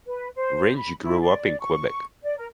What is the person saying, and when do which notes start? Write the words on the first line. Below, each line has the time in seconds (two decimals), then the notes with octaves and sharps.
Ringe grew up in Quebec.
0.07 B4
0.35 C5
0.76 B5
1.02 E4
1.21 D5
1.60 C#6
2.24 D5
2.38 A#4